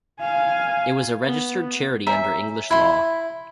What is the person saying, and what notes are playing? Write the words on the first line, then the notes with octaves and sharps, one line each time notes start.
It was a registered charity under English law.
F5 G#5
B3
C#5 E5 G#5 A#5
E4 B5 C6